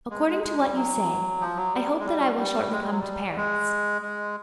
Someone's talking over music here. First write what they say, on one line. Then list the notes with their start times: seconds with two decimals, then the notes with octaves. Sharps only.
According to what you say, I hope that I will shortly come to Paris.
0.11 G#3
0.27 G#3
0.43 G#3
0.60 G3
0.75 F#3
1.41 F3
1.57 F#3
1.74 G3
1.99 G#3
2.06 G3
2.38 G3
2.71 G#3
2.81 G3
2.90 F#3
3.00 G3
3.27 G3
3.36 G#3
4.02 G#3